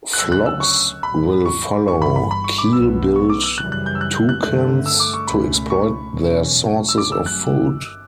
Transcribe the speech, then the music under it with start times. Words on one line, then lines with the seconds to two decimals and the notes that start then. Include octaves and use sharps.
Flocks will follow keel-billed toucans to exploit their sources of food.
0.13 F#6
0.18 D2 C#3 F#3 C#4 E6
0.32 F#6
0.46 E6
0.61 C#6
1.03 B1 A2 G3 B5
1.46 C#6
1.88 G1 G2 E3 G3 C#6
2.02 B5
2.16 B5
2.31 B5
2.44 C#6
2.58 D6
2.73 B1 B2 F#3 B3 E6
3.16 C#6
3.30 D6
3.43 E6
3.58 F#2 C#3 E3 G3 F#6
3.72 F#6
3.86 G6
3.95 E6
4.01 F#6
4.14 G6
4.29 F#6
4.43 G2 D3 A3 F#6
4.86 E6
5.00 D6
5.14 C#6
5.27 C#2 B2 A3 C#4 B5
5.70 C#6
6.13 E2 B2 F#3 C#4
6.89 E6
6.98 G1 G2 F#3 A3 C#4 D6
7.12 E6
7.26 F#6